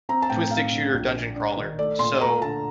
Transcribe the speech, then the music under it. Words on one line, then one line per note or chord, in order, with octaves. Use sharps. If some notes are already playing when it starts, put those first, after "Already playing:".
twin-stick shooter dungeon crawler, so
C4 A#5
A5
A2 G5
C4 F5
D3
A#1
A#2
D4
D#3
A3 D5
A#2 C6
A3 A#5
D3 A5